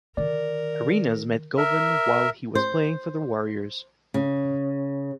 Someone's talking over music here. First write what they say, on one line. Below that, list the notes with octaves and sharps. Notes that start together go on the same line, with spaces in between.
Arenas met Govan while he was playing for the Warriors.
D3 D#3 A#4 D5
A#4 E5
C5
C#3